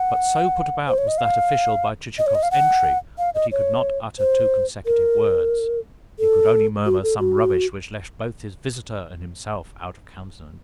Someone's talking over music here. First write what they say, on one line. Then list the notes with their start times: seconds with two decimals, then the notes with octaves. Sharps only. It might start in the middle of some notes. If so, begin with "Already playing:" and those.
But so put about was that official by Chichikov's entry that he could not utter two consecutive words--he could only murmur some rubbish which left both his visitor and himself out of countenance.
Already playing: F#5
0.88 C5
0.98 C#5
1.08 D#5
1.18 F5
2.18 D#5
2.27 C#5
2.35 D#5
2.43 F5
2.51 F#5
3.18 F5
3.35 D#5
3.52 C#5
4.19 C5
4.86 A#4
6.19 A4
6.86 F#4
7.03 A4
7.19 F#4